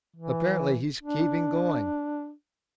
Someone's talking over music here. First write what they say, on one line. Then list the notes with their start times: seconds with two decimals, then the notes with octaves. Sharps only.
Apparently he's keeping going.
0.16 E3
1.03 D4